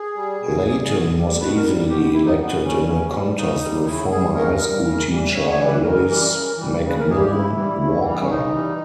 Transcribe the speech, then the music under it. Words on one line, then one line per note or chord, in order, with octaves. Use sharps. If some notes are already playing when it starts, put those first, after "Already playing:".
Layton was easily elected in a contest with former high school teacher Lois MacMillan-Walker.
Already playing: G#4
G3
B2
G3
B2
G3
B2 B4
A#4
G3
B2 G4
G4
G3 E4
D#4
B2 B3
G3 C#4
C#3
G3
C#3 D#4
G3
D#4
C#3 E4
G3 G#4
C#3 A#4
G3
C#3
E3 G3
C#3 C#5
C#5
E3 G3
B4
C#3 A#4
E3 G3
C#3
E3 G3
C#3
B4
A#4
E3 G3 G#4
G4
C#3 E4
E3 G3
C#3
E3 G3
B3
C#4
C#3 D#4
E3 G3